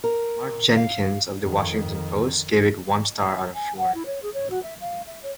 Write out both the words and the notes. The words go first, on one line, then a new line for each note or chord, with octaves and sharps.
Mark Jenkins of "The Washington Post" gave it one star out of four.
A#4
F5
F2 D#3
G#5
F#5
E4
C#5
G#4
C#5
F#4
E5
F5
E5
C#5